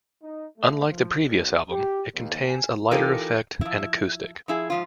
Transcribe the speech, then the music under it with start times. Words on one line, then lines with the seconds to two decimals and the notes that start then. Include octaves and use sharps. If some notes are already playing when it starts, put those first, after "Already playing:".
Unlike the previous album, it contains a lighter effect and acoustic.
0.22 D#4
0.57 A3
0.88 F3
1.24 B1
1.70 G4
2.14 D#2
2.47 G#5
2.91 E3 D#4 F4 G4 A4 A#4
3.61 F3 E4
4.48 F3 E4 G#4
4.70 G#2 F3 F4